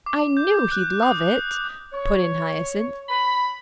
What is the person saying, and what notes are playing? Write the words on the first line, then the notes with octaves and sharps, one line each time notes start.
"I knew he'd love it," put in Hyacinth.
D6
G6
F#6
D#6
C#5
B5